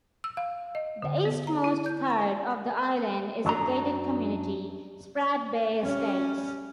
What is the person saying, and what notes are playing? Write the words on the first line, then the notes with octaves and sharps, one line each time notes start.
The eastmost third of the island is a gated community, Sprat Bay Estates.
E6
F5
D#5
D3
B3
A#5
E4
G6
C#6
F#2 F#3 D4 A#5
G3 C#4